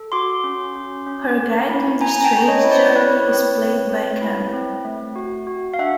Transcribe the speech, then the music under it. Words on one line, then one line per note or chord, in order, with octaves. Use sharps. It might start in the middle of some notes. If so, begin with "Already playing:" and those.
Her guide on this strange journey is played by Kemp.
Already playing: A4
F#4 C6 D6
C#4
C#4
C#4
C#4
E4
C#4 G#5 A#5
A#5
G5 A5
C#4
C#5 D#5
E4
C5 D5
E4 B4 C#5
C4
C4
C4
E4
C4
A3
F#4
F#4
F5
D4 E5 F#5